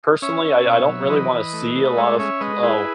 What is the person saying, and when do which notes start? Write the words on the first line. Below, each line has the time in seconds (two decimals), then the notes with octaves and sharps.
personally, I I don't really wanna see a lot of p ul
0.22 C#4 C#5 E5
0.45 C#4
0.66 B2
0.88 F#3
1.10 E3 B4 D#5
1.33 E3
1.53 A3
1.75 A3
1.97 G#3 C#5 E5
2.19 C#4 C#5 E5
2.40 G#3 B4 D#5
2.63 E4 G#4 B4